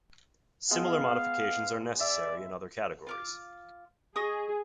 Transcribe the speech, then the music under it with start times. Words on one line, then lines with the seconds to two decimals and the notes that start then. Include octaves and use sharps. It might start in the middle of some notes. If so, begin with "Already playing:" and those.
Similar modifications are necessary in other categories.
0.71 G#3 B3 F5
2.00 D5 E5
3.07 F4 F5 D6
4.16 G#4 D#5 C#6 D#6